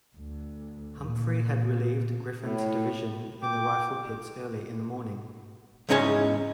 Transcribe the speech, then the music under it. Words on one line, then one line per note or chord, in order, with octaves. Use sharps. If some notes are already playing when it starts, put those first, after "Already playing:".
Humphrey had relieved Griffin's division in the rifle pits early in the morning.
D2
A#2
A2
G5 D6
E2 G#2 C#4 D#4 C#5 G#5